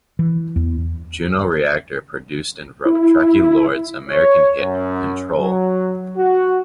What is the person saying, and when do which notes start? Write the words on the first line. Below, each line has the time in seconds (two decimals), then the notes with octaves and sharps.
Juno Reactor produced and wrote Traci Lords's American hit "Control".
0.19 E3
0.56 E2
2.86 E4
4.09 C#5
4.60 F#2
5.38 F#3
6.16 F#4